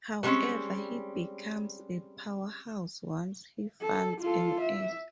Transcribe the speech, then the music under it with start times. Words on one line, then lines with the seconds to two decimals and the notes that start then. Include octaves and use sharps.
However, he becomes a powerhouse once he finds an egg.
0.23 B2 G3 G#3 C4 C#4
3.82 A4
4.21 F4 A4
4.61 E5